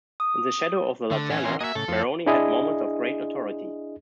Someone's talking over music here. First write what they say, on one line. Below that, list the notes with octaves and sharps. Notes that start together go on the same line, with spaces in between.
In the shadow of the "Lanterna", Meroni had moments of great notoriety.
D#6
D3 A3
E3 C#4
C4 A#4 C6
A#3 F#4 D#5 E5 G#5
A2 C#3 A4
F2 F3 C5
D4 E4 G#4 D#5